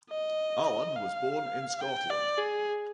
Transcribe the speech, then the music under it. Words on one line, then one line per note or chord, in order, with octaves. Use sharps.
Allan was born in Scotland.
D#5
F5
G5
D5
G#4